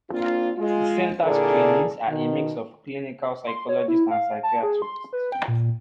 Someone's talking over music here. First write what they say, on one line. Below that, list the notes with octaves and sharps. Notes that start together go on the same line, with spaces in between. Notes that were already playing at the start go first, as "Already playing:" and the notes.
The center's trainees are a mix of clinical psychologists and psychiatrists.
A#3 C4 D4 F4
G#3 F4
A#2 D3 E4 G#4 A#4 D5
B2 D#3
C6
C#5
E4
F5
A5
G#4
C6
B4
G5
A#2